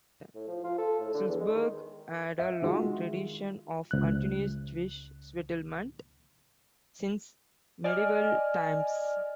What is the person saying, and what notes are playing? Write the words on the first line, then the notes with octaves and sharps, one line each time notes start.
Sulzburg had a long tradition of continuous Jewish settlement since medieval times.
A2
F3
F4
A4
A2
D3
E2
G#3
D#3
E5
D#3 G#3 F4 F#4
C#2 F#6
D5 D#5 G#5 F6